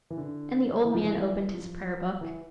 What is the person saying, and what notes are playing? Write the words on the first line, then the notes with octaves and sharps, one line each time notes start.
And the old man opened his Prayer-Book.
E3
D3
E3
F3
E3
F3
E3